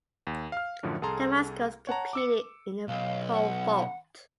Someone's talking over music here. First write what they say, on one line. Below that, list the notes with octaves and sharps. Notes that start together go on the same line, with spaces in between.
Damaskos competed in the pole vault.
D#2
F5 F6
F#2 A2 D3 F3
C2 G#4 A4 A5 A#5 C6
C#5 F#5 A5 A#5
D6 E6 C#7
B1 F5
F#5